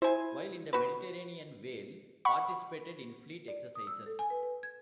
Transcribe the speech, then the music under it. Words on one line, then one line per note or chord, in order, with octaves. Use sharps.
While in the Mediterranean Whale participated in fleet exercises.
E4 C5 G#5
F#4 B4
F#5 B5 C#6
D5
D#6
E6
A4
G#5
B4
B4
G#6